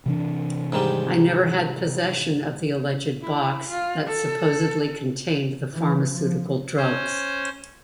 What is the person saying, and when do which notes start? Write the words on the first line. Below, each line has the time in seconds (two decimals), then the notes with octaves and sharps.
I never had possession of the alleged box that supposedly contained the pharmaceutical drugs.
0.06 C3 E3 D4
0.72 G#2 D#3 G3
3.21 E4
3.68 F4
4.06 A4
5.73 E3
6.12 F3
6.77 C#4 C5